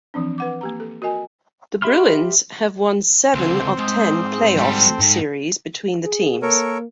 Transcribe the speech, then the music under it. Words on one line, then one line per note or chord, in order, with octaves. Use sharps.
The Bruins have won seven of ten playoffs series between the teams.
E3 F3 C4 D4
B4 F#5 D6
A#3 G4 A#5
A4
F#4 A#4 D#5 G#5
G4 E5 B5 C6 F6
C#2 D3 C4
G#2 D#6 G6
G#4
G3 F#4 A4 G5 A5
G#2
G#4
A#3 A4 A#4 C#5